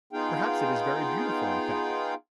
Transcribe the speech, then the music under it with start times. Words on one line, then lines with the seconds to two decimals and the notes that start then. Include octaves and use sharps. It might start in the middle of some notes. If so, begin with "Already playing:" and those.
Perhaps it is very beautiful, in fact.
0.13 B3 D#4 F4 G#4 F5 G5